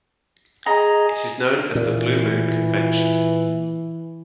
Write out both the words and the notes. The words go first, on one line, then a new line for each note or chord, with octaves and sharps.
It is known as the "Blue Moon" convention.
G#4 D#5 A#5
A#2 E3